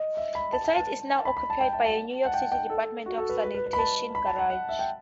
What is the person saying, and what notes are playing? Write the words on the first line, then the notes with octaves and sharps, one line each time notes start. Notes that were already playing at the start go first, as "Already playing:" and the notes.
The site is now occupied by a New York City Department of Sanitation garage.
Already playing: D#5
E5
B5
A5
A5
A5
B5
B5
A5
G5
A5
A5
F#5
G5
G5
A4
F#4
A4
B4
B4
B4
B4
B5
A5
B5
A5
F#5
F#5
E5
G5